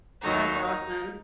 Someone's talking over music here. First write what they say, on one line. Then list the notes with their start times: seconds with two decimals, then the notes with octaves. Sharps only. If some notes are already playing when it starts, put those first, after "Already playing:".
That's awesome.
0.23 D#2 D#3 F#3 D#4
0.64 D#4